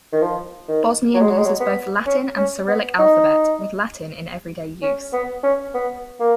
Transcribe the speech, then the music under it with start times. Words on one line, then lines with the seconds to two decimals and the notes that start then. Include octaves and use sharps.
Bosnian uses both Latin and Cyrillic alphabet, with Latin in everyday use.
0.13 D#3
0.22 F3
0.68 D#3
1.14 F#3
1.22 G#3
1.30 F#3
1.38 G#3
1.46 F#3
1.60 B3
2.06 C#4
2.37 C#4
2.68 B3
2.99 D#4
4.82 C#4
5.13 B3
5.43 C#4
5.74 B3
6.20 A#3